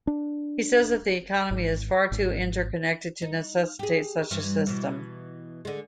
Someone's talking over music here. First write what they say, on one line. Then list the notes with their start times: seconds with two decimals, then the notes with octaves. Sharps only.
He says that the economy is far too interconnected to necessitate such a system.
0.07 D4
1.51 G#1
2.12 G#1
3.22 D#4
3.79 G4 G#4
4.31 G2 E3
4.67 B2 E3
5.65 D3 G#3